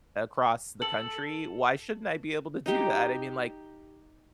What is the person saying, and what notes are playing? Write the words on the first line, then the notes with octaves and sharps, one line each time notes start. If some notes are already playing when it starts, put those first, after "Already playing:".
across the country. Why shouldn't I be able to do that? I mean, like,
A4 F#7
D#4 G4